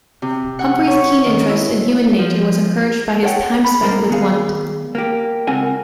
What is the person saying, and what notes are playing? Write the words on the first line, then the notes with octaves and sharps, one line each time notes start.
Humphrey's keen interest in human nature was encouraged by his time spent with Wundt.
C3
F#5
C#5
D#3
E4
F3
A4 C#5 F#5 G5
B5
B1 G3 A#4 C5 A#5
D#3 B3 G#4 F5
A#3 G4
C#2 C4 A4 A#4 F#5 G#5